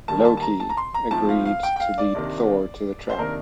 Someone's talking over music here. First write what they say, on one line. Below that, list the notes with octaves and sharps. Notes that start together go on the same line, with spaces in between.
Loki agreed to lead Thor to the trap.
D#2 D#3 G3 A#3 A5
A5
A5
A#5
A5
A#5
C6
A#5
A2 F3 C4 A5
F5
F5
G5
G5
F5
D5
C3 D#3 A#3 D4
C5
C3 D#3 A#3 D4 A#4